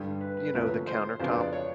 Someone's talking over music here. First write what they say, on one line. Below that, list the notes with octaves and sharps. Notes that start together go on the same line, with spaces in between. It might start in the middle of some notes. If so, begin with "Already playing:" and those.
you know, the countertop
Already playing: G2 D3 G3
B4
B4
D2 C3 F3 A#3 C#4 B4
C5
F2 C#3 F#3 B3 D4 C5
D5
C#5